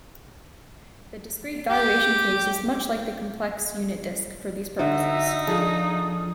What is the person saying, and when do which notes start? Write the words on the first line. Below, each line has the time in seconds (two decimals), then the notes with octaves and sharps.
The discrete valuation case is much like the complex unit disk, for these purposes.
1.70 G4
4.79 D3 D#4 F#4 E5
5.47 F3 D4 F4 G#4 A4 D#6